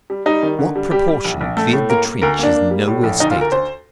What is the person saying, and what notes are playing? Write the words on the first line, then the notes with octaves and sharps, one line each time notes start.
What proportion cleared the trench is nowhere stated.
G3
G3 D#4
D#3
D3
G3
G3 G4
G3
A#1
A#1
A3 A4
A2
A#3 A#4
A#3
D2 A#4
A#3 D4
A#3
G3
A2
A#1
D2 D#4
F4
D2 A#4
D2 C5